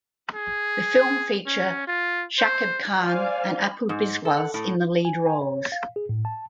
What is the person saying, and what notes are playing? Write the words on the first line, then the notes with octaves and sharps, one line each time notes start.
The film feature Shakib Khan and Apu Biswas in the lead roles.
G#4
C#4
F4
C5
C5 D5 F5 G#5
G#2
A4
F#5
A2
G#5
G#5
C#5
F5
G#4
A2
A5